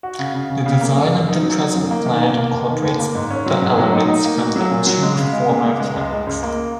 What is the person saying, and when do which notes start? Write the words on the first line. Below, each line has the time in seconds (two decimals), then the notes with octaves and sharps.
The design of the present flag incorporates the elements from the two former flags.
0.03 F#4
0.19 C#3
0.34 C#3
0.50 C#3
0.66 C#3
0.81 A#3
0.97 F#2
1.12 F#2
1.28 D#4
1.43 F#3
1.59 D#4
1.75 F#2
1.91 A#3
2.06 D#3
2.21 A#3
2.38 A#3
2.53 D#2
2.68 D#3
2.84 D#2
2.99 A#3
3.15 G#2
3.31 C#4
3.46 F#3
3.62 G#2
3.78 F#3
3.93 D#4
4.08 D#4
4.25 A#3
4.40 F#4
4.56 F#3
4.71 A#2
4.87 F#3
5.03 G#3
5.18 C#3
5.33 G#3
5.49 C#3
5.65 G#3
5.80 G#3
5.96 C#2
6.12 G#3
6.27 C#2
6.43 A#3